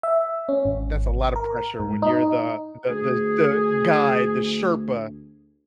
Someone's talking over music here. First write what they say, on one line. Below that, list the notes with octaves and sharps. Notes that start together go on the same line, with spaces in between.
That's a lot of pressure when you're the the the the guy, the Sherpa
E5
C#4
G#1
A#4
G#2
D#4
D2 G#4